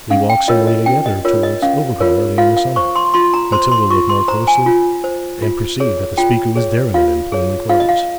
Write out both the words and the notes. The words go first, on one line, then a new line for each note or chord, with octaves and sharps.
We walked some way together towards Overcombe earlier in the summer.' Matilda looked more closely, and perceived that the speaker was Derriman, in plain clothes.
C#4 F5
G5
F4 A#4 C#5 D#5
D#5
C#4 G5
D#5
F4 A#4 C#5
D#5
C#4 F5
F4 A#4 C#5
F4 F5
F5
C5 C#6
C6
F4 C6
A#5
C5 C6
C6
F4 C#6
C6
C5 A#5
G#5
F4
C5
F4
G#4 C#5
F4 G5
G#4 C#5
F4 F5
G#4 C#5
F4 F5
D#5
F5